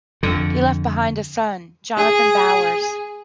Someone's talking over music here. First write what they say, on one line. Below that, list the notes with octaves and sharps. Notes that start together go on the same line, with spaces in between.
He left behind a son, Jonathan Bowers.
F2 D3
G#4